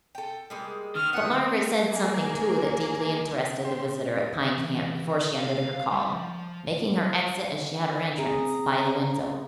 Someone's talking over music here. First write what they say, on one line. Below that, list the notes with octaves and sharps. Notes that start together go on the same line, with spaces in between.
But Margaret said something, too, that deeply interested the visitor at Pine Camp before she ended her call, making her exit as she had her entrance, by the window.
A4 G5
G3 G#3 A#3
D#3 F6
A3 B3 F#5
A#3 G#4
G4 C5
E3
F5
G3
F3
C4 G#4 A#5